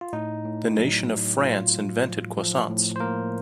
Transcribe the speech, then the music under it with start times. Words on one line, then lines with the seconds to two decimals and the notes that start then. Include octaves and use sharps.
The nation of France invented croissants.
0.01 F4
0.13 A2 D#4
0.45 A2
0.77 F#3
1.09 F#3
1.41 A2 F4
1.73 A2
2.05 F3
2.37 F3
2.69 A2
2.96 C5
3.00 A2 A#3 A#4